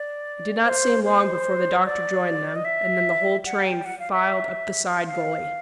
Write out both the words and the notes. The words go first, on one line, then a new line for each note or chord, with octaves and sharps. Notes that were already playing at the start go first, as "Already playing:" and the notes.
It did not seem long before the doctor joined them, and then the whole train filed up the side gully.
Already playing: D5
C5
C5
D5
D#5
E5
F#5
G5
F#5
F5
E5
F5